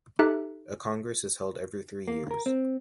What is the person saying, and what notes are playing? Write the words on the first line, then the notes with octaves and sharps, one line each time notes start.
A congress is held every three years.
D#4 G4 A4 E5 F#6
A#3
A#4
C4